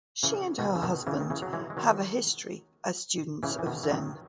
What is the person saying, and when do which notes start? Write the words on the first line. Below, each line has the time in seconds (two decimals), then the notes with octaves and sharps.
She and her husband have a history as students of Zen.
0.23 C#3 E3
0.58 B2 D#3
0.75 C#3
0.82 B2 D#3
1.07 C#3 E3
1.20 D#3
1.30 C#3 E3
1.42 F#3
1.53 E3 G#3
1.70 G#3
1.77 D#3 F#3
3.43 C#3 E3
3.59 E3
3.66 B2 D#3
3.84 E3
3.90 D#3 F#3